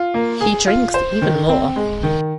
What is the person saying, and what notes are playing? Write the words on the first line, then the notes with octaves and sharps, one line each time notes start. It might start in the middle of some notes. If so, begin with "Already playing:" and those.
He drinks even more.
Already playing: F4
A#3
G#4
F4
C5
D#3
C4
G#3
D#3